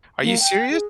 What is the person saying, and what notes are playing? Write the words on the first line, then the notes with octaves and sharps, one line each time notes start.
Are you serious?"
A#3
G5
G#4